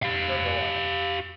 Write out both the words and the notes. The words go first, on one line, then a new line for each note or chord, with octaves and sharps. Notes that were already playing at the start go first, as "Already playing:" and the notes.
No, go on.
G4 F5